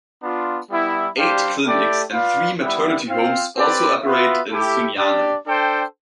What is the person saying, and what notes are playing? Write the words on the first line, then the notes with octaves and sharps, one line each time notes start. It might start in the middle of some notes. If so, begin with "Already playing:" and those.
Eight clinics and three maternity homes also operate in Sunyani.
B3 D4 F4
G3 B3 E4
G3 D4 G4 C5 F5
A3 E4 G4 D5 G5
F4 B4 D5 F5
G3 B3 E4 B4 E5
C4 F4 C5 F5
C4 G4 B4 D5
B3 F4 B4 E5
A3 E4 G4
D4 G4 D5
D4 A4 C5 G5